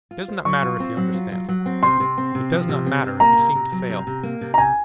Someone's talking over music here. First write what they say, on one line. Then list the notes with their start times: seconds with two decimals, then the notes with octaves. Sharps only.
It does not matter if you understand. It does not matter if you seem to fail.
0.11 F4
0.28 C5
0.45 F#3 C#6
0.63 F4
0.80 C4
0.97 F#3
1.14 F4
1.31 F#3
1.49 F#3
1.66 C4
1.83 C3 C6
2.00 C3
2.18 C4
2.35 C3
2.52 F3
2.69 C3
2.87 C4
3.03 C3
3.20 A#3 A#5
3.38 C3
3.55 C3
3.72 F#3
3.90 C3
4.07 C3
4.23 A#3
4.41 C3
4.54 A#5
4.58 C3 G#5